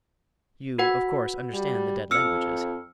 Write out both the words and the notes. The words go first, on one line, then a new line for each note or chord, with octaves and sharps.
"You, of course, understand the dead languages?"
F#4 B4 F#5
G3
F2 E6 F6 C#7